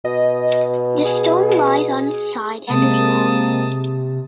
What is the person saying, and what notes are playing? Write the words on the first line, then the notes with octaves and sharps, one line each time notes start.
The stone lies on its side and is long.
B2 D#5
G#4
C3 G#3 A#3 C4 A5 D#6